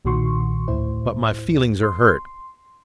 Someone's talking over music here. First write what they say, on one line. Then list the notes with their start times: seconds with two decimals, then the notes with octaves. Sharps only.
But my feelings are hurt.
0.05 B1 A#2 D#3 F#4 C6 C#6
0.68 D2 A2 E4 C5
1.83 C6